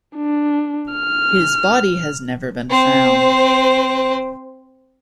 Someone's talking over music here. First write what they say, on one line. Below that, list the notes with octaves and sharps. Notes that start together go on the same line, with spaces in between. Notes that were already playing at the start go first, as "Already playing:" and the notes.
His body has never been found.
D4
F6
C4 C5